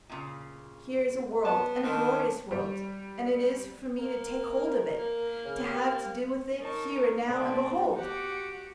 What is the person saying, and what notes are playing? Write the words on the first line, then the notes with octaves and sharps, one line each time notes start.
Here is a world and a glorious world, and it is for me to take hold of it, to have to do with it, here and now, and behold!
A#2 C#3
B3 A5
D#3 A3 C4 D4
G3
A#3 A#4
A#3
C#3
G4
D#4 A#4 A5 C#6
B2 A3 C4 D5
F#4 G4 F#5 D6